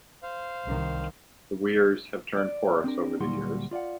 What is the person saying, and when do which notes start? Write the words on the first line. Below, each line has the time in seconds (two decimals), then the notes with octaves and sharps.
The weirs have turned porous over the years.
0.23 C5 F5
0.68 C2 D#3
2.37 D5
2.84 C4 D4 G4 A#4
3.20 D2 A#2 F#3 G3 F#4 C6
3.71 F4 D5 F5 F#5